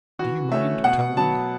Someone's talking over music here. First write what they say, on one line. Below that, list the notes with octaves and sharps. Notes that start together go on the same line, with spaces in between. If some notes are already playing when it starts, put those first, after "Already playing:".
Do you mind telling?
E3 F#4
A3 C#4 E5
B2 F#5
F#3 B3 A5